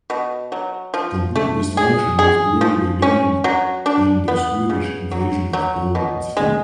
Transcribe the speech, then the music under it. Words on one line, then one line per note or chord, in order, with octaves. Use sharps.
Complete destruction was brought again in the Swedish invasion of Poland.
B2
F#3
F3
A3
G#4
G#4
F3
C#4
F#3
D4
B3
C#3
F#3
F#3
B2
G#3